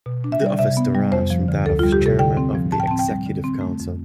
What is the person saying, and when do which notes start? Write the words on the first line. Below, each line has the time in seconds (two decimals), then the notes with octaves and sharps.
The office derives from that of Chairman of the Executive Council.
0.06 B2
0.24 D4
0.32 E5
0.41 G3 D5
0.59 C3 E5
0.77 B3
0.95 G3
1.12 F2 C5
1.30 F3
1.48 D3
1.66 D2 A4
1.79 G3 F4
1.92 G4
2.02 C3 A4
2.19 D3 G5
2.37 C4
2.55 F3
2.72 A2 A5
2.80 G5
2.87 A5
2.91 C4
2.99 G5
3.09 G3
3.26 D3
3.44 C4
3.61 A3
3.80 F2